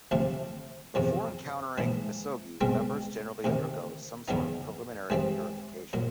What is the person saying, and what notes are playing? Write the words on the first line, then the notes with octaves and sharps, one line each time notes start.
Before encountering misogi, members generally undergo some sort of preliminary purification.
D2 C3 F3 A3
E2 C3 F3
A#1 G#2 E3
C2 B2 G#3 C4
D2 C3 D#3
E2 C#3 F#3 B3 D#4
G#2 E3 G3 C4
A#2 F#3